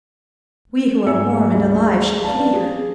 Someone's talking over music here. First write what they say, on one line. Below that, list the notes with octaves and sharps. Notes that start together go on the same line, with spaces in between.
We who are warm and alive should pity her.
G#2 G#3 E5 G#5 E6 C#7
D2 G3 G#3
B4 D5 F5 A5
G4 G#4